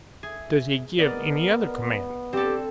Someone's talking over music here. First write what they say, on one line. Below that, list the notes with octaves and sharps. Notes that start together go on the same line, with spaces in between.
Does he give any other command?
G#4 E5
B3 A#4 D5 D#5
C4 G4 A4 D5